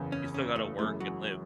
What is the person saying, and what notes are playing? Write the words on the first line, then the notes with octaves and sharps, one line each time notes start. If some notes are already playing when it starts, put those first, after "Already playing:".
you still gotta work and live.
Already playing: F#1 E2 C#3
C#4
C#4
A3
F#2 C#3 E3 G#3 A3
F#3